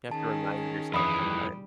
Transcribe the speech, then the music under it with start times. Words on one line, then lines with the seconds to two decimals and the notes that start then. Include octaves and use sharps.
You have to remind yourself sometime.
0.11 D#3 C#4 G#4 A5
0.94 F2 E3 B5 D#6
1.23 G3